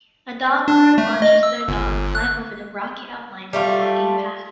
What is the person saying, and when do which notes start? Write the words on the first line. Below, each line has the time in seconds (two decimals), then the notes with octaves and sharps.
A dog owner watches their dog climb over the rocky outline of a walking path.
0.68 D4
0.98 A3
1.22 D#5
1.43 E6
1.68 G1
2.15 F#6
3.53 G3 A3 F4